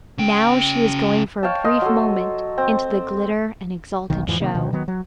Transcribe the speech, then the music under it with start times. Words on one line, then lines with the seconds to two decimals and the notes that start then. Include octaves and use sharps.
Now she was going for a brief moment into the glitter and exalted show.
0.18 C#3 G5
1.43 C#5 F5 G5 A5
1.64 D#5 F5 G5 C6
1.82 F#3 A4
2.58 C4
4.10 E1 B1 D#3
4.27 E2 G#2 E3 F3
4.40 C3 D#3 A#3
4.54 D2 B2 D#3
4.73 D#3 F#3 B3
4.88 F#3